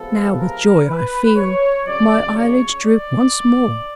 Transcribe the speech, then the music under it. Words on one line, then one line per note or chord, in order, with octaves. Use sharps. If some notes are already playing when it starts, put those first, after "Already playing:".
Now with joy I feel My eyelids droop once more.
Already playing: C3 F3 G#3 B3 A4
A#4
B4
C#5
F2 C#3 F#3 D5
C#5
D5